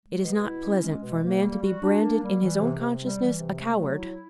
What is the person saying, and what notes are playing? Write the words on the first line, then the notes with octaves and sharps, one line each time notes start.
It is not pleasant for a man to be branded, in his own consciousness, a coward.
G#3
B2
E4
C#4
G#3
B2
A#3
G3
F#4
D4
A#3
G3
E3
C3
C3
G3
E3
C3
A3
F#3
E4